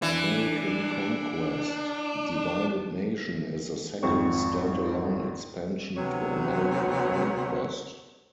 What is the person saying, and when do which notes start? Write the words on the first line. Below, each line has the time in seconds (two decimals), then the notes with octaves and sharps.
American Conquest: Divided Nation is the second stand-alone expansion to American Conquest.
0.02 E3 D4
4.03 G#1 F2 C4 C#6
5.97 D2 C3 F#3 B3 C#5